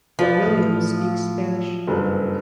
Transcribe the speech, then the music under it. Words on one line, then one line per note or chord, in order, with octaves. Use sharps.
Williams speaks Spanish.
F3 F4 B4 D5
A2 D#6
F#1 G2 A4